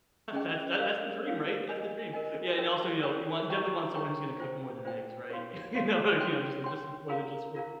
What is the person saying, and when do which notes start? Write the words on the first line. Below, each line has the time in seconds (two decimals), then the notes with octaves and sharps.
That's tha that's the dream, right, that's the dream. Yeah and also, you know, you want you definitely want someone who's gonna cook more than eggs, right? You know, like, you know, just like just more than just scrambled
0.33 C#4 G#4 D#5 G5
0.78 A#4 C#5 F5
1.23 A#4 C#5 F5
1.68 A#4 D#5 G#5
2.13 A#4 D#5 G#5
2.58 G4 A#4 C#5 G5
3.03 G4 A#4 C#5 G5
3.49 G#4 C#5 G5 A#5 C#6
3.94 G#4 C#5 G5 A#5 C#6
4.40 F4 C5 G5
4.85 F4 C5 G5
5.30 G4 C#5 F5 C6
5.75 G4 C#5 F5 C6
6.19 G4 C#5 G5 C6
6.64 G4 C#5 G5 C6
7.09 F4 A#4 F5 A#5
7.55 F4 A#4 F5 A#5